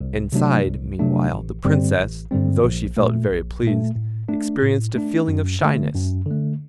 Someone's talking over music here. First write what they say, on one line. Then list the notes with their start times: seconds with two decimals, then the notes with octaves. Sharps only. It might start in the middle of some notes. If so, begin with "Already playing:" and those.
Inside, meanwhile, the Princess, though she felt very pleased, experienced a feeling of shyness.
0.01 C2
0.32 C3 F#3 A3 D4
0.66 C2
0.99 C3 F#3 A3 D4
1.31 A1
1.65 G2 D3 G3 C4
1.98 A1
2.31 G2 D3 G3 C4
2.63 A#1
2.97 A#2 A3
3.30 A#1
3.63 A#2 A3
3.96 A2
4.29 A3 D4
4.62 A2
4.95 A3 D4
5.28 F#2
5.61 D3 A3
5.94 F#2
6.26 D3 A3